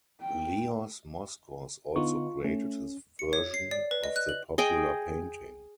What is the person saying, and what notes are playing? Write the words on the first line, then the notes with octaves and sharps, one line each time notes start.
Leos Moskos also created his version of the popular painting.
G5
D3 B3 D#4 F4 C#6
A3 C#4
C#7
C#5
C7
D5
B4
D#5
F#6
F#7
G#4 D#5 G5